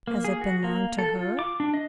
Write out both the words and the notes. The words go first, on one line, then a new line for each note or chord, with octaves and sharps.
Has it been long to her?
A#3
G#4
F#4
A#3
A4
F4
D6
D4
D#5